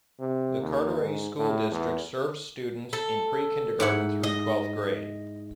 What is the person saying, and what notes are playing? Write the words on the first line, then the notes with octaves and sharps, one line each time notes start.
The Carteret School District serves students in pre-Kindergarten through twelfth grade.
C3
D#2
G#2
A2
E2
A4
G#2 E4 F#5
D#5